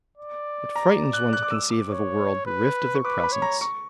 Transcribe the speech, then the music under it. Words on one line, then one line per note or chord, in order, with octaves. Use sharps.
It frightens one to conceive of a world bereft of their presence.
D5
A#5
F#6
F#6
D6
E6
D6
C#5
B4
C#6
B4 D6
B5
C#5
A#5
C#6